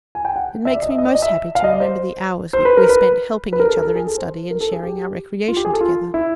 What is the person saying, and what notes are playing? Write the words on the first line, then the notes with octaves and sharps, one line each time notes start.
It makes me most happy to remember the hours we spent helping each other in study and sharing our recreation together.
G#5
G5
F#5
E5
D5
D#5
E5
D#5
D5
D#5
E5
F5
D#5
D5
C5
C5
B4
A#4
B4
B4
A#4
A4
A#4
A4
G#4
A4
C5
A#4
A4
G#4
G4
F4
G4
G#4
A4
F4
E4